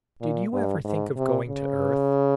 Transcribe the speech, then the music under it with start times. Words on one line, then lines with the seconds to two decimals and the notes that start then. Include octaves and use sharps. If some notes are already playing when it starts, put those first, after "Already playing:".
"Did you ever think of going to Earth?"
0.21 A#2
0.53 G2
0.85 G#2
1.16 C3
1.48 C#3